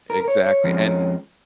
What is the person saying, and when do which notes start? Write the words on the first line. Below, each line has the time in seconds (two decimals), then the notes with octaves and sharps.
Exactly. And i
0.10 A#4
0.20 A#4
0.28 C#5
0.46 C#5
0.64 F2 F3 G#3 C#4